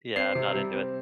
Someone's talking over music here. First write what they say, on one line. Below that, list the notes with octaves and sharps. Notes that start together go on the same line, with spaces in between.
yeah, I'm not into it.
C4 C7
C3
G3
C4